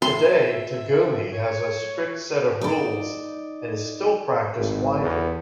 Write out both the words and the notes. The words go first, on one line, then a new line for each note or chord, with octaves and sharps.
Today, "tegumi" has a strict set of rules and is still practiced widely.
E5 C6
C#5
D#4 D5
G#1
E2